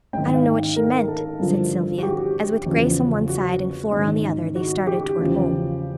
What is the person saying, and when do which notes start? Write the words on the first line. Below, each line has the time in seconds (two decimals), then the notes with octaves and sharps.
"I don't know what she meant," said Sylvia as, with Grace on one side and Flora on the other, they started toward home.
0.13 G#2 D#3 G5
0.34 F5
0.76 A#4
1.08 A4
1.40 G2 D3 F3
1.98 F#4
2.03 G4
2.66 E2 C#3 F3
3.29 F#4
3.92 G#2 D#3
4.56 F#4
4.87 G4
5.19 E2 C#3 F3